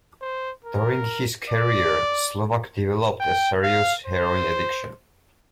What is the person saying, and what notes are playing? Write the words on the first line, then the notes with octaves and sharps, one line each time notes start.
During his career, Slovak developed a serious heroin addiction.
C5
A#4
D5
G5
F5
C5